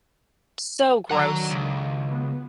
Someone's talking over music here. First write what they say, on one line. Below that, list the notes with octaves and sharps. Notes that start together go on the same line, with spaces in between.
So gross.
D3 D#3 F#3 F#5 A#5
C#2
B3